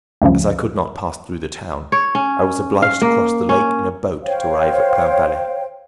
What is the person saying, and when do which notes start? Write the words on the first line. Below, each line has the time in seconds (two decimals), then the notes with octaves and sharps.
As I could not pass through the town, I was obliged to cross the lake in a boat to arrive at Plainpalais.
0.22 D2 G2 C#3 F3
1.92 C#5
2.15 C#4
2.82 F5
3.02 A#3
3.49 C#4
4.24 C5 C#5 F5 G5